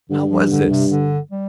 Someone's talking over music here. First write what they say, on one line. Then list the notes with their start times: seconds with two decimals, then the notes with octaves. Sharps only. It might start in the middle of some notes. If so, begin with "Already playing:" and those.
How was this?
0.10 G2 D3
0.30 F3
0.50 D3
0.70 C3
0.91 D3
1.31 G3